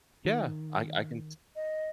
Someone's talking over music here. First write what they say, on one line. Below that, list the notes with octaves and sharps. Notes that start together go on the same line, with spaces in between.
Yeah, I I can
D#3
D#5